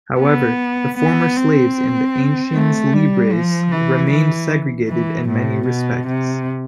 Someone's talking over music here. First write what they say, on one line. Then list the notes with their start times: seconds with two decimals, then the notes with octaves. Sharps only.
However, the former slaves and the anciens libres remained segregated in many respects.
0.20 B3
0.98 B3
1.37 C4
2.55 A3
2.94 G3
3.33 F3
3.72 E3
4.11 E3
4.89 E3
5.29 A2
5.67 B2
6.07 C3